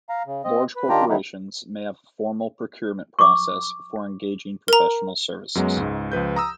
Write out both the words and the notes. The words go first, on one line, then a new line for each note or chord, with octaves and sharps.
Large corporations may have a formal procurement process for engaging professional services.
F5 A#5
C#3
C4 D#5
B4
D#3 D4 F4 G4 G5 A#5
D#3 E3 F#3 B3 D#4 E4
C#6 D6
A#4 A#5
F#2 F#3 G#3 B3
C#2 G#2
C#2 F3 B4 G6
A#5 D#6 E6